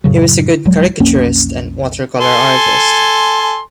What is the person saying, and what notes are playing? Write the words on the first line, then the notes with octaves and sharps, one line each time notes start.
He was a good caricaturist and watercolour artist.
F#2 A2 C#3 F#3
D#1 F3 F#3 G#3
B1 F2 A#3 C#4
A4 G#5 C6